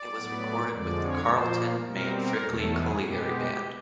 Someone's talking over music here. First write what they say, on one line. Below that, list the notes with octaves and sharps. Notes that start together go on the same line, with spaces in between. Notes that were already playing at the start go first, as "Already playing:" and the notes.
It was recorded with the Carlton Main Frickley Colliery Band.
Already playing: D5
A2 F#3 B3
F2 D3 F3 G#3 D5
C#5
A#2 F3 A#3 C5
B2 G3 C4 A#4
A#4
E2 B2 F#3 A3 A4
G#4
B2 G#3 B3 G4